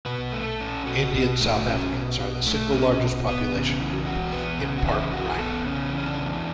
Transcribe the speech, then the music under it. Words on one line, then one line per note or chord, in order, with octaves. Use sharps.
Indian South Africans are the single largest population group in Park Rynie.
B2 B4
A3
A4
C#4
B2 F#4
B2
A3
C#4
B2
B2
A3
C#4
B2
B3
C#3
E3
E2 F#4
B3
C#3
F#4
E3 E4
E2 F#4
G#4
B3 A4
C#3 C#4
E3
C#4
D4
E2